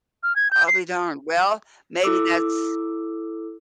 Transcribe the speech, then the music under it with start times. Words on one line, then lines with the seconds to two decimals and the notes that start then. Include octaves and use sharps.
I'll be darned. Well, maybe that's
0.23 F6
0.36 G#6
0.51 G6
0.67 C7
2.04 E4 A4 D6 E6